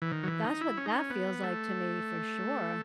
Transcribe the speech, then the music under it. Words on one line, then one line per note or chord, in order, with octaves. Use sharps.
That's what that feels like, to me, for sure.
E3
D#3
F#3
E3
D#4
E4
C#4
D#4
C#4
B3
A3